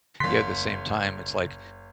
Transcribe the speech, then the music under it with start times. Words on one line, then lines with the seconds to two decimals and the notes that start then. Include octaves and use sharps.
yeah, at the same time, it's like,
0.20 F#1 C#3 C6 B6